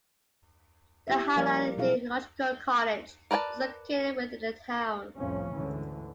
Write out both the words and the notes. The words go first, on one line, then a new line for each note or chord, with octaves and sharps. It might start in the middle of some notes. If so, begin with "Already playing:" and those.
The Highland Theological College is located within the town.
E4 G4 E5
F3 G3 A#3 A#4 D5 F5
B2 F#3 E4 G#4 F5
A#4 B4 D5 G5 A5
C2 F2 A2 F3 C#4
D2 G#2 D3 E3